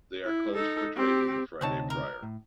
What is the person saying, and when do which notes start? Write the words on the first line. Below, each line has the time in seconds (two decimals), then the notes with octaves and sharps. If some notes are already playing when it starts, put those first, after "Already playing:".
They are closed for trading the Friday prior.
0.25 E4
0.54 D#4 A4
0.95 C4 G4
1.61 D2 C3 C4 D#4 C#5 A5
1.90 A#4
2.23 A2